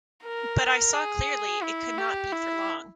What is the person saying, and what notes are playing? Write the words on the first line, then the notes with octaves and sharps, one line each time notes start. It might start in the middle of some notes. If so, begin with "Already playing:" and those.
But I saw clearly it could not be for long.
A#4
G#4
E4
G4
E4